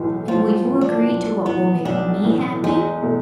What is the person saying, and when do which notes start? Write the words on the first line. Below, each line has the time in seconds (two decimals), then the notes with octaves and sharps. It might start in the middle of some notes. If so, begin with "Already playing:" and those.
"And will you agree to what will make me happy?"
Already playing: B1 A2 E3 G#3
0.28 B1 F3
0.68 A2 E3
0.81 D4
1.07 B1
1.46 A2 E3 B3
1.85 B1 D4
2.24 A2 E3
2.64 E2 G#3
3.02 B2 A3